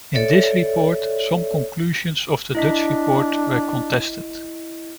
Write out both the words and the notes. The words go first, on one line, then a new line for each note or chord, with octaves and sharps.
In this report some conclusions of the Dutch report were contested.
A4 C#5 D5 E5
D4 E4 D#5 B6